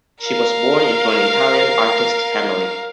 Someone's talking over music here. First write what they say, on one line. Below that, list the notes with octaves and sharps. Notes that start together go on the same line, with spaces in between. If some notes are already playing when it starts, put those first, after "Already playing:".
She was born into an Italian artist family.
A#4 F5